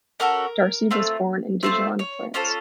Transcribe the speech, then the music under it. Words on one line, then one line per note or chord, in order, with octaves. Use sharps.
Darcy was born in Dijon, France.
C#4 F#4 A4 A#4
A3 C4 F4
A3 C4 F4 C5
C#5
C#4 F4 A4 C5